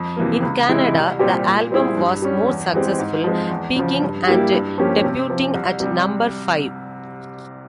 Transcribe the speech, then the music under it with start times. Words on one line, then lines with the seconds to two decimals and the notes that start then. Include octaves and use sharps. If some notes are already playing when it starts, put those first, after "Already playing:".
In Canada, the album was more successful, peaking and debuting at number five.
Already playing: F2
0.17 C3 E3 A#3
0.43 C#2
0.69 C3 E3 G#3 E4
0.94 C2
1.19 A#2 G3 C4 G4
1.46 A#2
1.71 G3 C4 E4 G#4
1.97 G2
2.22 G3 C#4
2.48 E2
2.74 E3 G#3 C4 G4
2.99 G#2
3.24 F3 G#3 C4
3.50 E2
3.76 C#3 F3
4.01 G2
4.27 G3 A#3 E4 G4
4.52 G2
4.78 F3 A#3 C#4 G4
5.04 C3
5.30 F3 C4
5.54 C2
5.80 C3 G3